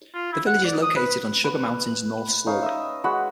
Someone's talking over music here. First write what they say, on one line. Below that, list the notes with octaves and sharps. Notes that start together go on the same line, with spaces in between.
The village is located on Sugar Mountain's north slope.
F4
E4
F#5
D5
D#6
B4
B4
C#4 D#4 F5
D#5 E5
G#3 F#4 B5